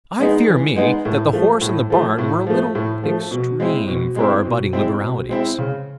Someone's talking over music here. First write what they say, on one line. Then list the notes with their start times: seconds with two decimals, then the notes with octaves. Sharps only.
I fear me that the horse and the barn were a little extreme for our budding liberalities.
0.19 G#3 B3 D#4 G#4
0.48 E3
0.76 G#3 B3 D#4 G#4
1.05 A2
1.33 F3 A3
1.61 A2
1.90 F3 A3
2.19 A2
2.47 F3 A3
2.75 A2
3.04 F3 A3
3.31 B2
3.60 G#3 C4 E4
3.87 B2
4.16 G#3 C4 E4
4.45 B2
4.73 G#3 C4 E4
5.01 B2
5.29 G#3 C4 E4
5.59 C#3